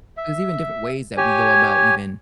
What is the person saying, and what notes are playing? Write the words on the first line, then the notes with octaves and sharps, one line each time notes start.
There's even different ways that we go about even,
E5
G4 C#5 G#5